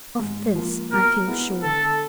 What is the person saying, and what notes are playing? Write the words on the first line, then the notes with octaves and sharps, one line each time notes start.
Of this I feel sure.
G#2
F3 A#3
B2 A#4
G#3 B3 E4
D3 A4